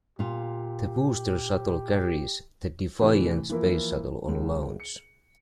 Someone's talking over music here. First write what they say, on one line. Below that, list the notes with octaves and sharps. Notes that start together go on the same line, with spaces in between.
The booster shuttle carries the "Defiant" space shuttle on launch.
A#2 F4 G4
A2 C3 E3
E3 F3 A#3 E4 A#4
C#2
C#7